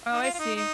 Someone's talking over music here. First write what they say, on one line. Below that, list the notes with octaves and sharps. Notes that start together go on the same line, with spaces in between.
Oh, I see.
D#4
F4
F4
D#4
D#4